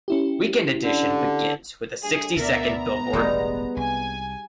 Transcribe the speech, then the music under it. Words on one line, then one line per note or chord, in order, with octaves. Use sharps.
"Weekend Edition" begins with a sixty-second billboard.
C#4 E4 G4
D3
G3 A3 D4 G#4
D2 B2 B3 A#4 D5 E5
A#5
E1 A1 G3 G#3 D#4
C2 G#5